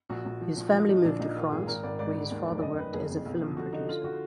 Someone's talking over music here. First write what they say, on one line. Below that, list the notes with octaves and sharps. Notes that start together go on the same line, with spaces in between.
His family moved to France, where his father worked as a film producer.
A#1 F#4
A#1
F3
A#1
F3 F4
F3 D#4
A#1 D4
A#1 D#4
D#3 F4
G#1 G#4
G#1 A#4
G#1 D5
G#2 D5
G#2
D#2
F1
D5
F#2 D#5
D#3 B4
F#1 G#4
F2
B1
F3
D3 F#4
D3 D#4
D3 F4
F#4